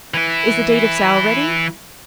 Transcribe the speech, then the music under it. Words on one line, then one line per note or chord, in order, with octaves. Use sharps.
"Is the deed of sale ready?"
E3 E4